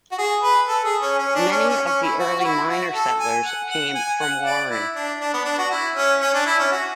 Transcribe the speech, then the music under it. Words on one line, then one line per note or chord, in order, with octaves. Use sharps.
Many of the early miner-settlers came from Warren.
F#4
G#4
B4
A4
G#4
C#4
C#4
D4
C#4
C#4
C#4
E4
F#4
F#4
E4
F#4
A4
G#5
F#5
F#5
G#5
F#5
D5
E4
D4
D4
B3
D4
F#4
E4
C#4
C#4
D4
E4
C#4
F#4